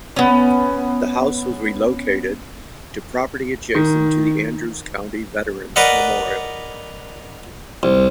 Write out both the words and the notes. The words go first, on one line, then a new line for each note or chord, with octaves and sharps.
The house was relocated to property adjacent to the Andrews County Veterans Memorial.
B3 C#4
D#3
A#4 B4 D5 D#5 F#5
C2